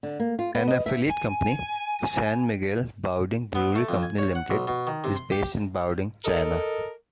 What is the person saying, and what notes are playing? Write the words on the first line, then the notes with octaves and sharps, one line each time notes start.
An affiliate company, San Miguel Baoding Brewery Company Limited, is based in Baoding, China.
D3
A#3
F4
B3
D#5
E5
G#5
B3
A3
F2
G#5
C#5
F#5
B1
B2
D#3
C3
C6
G4
A4 A#4 D#5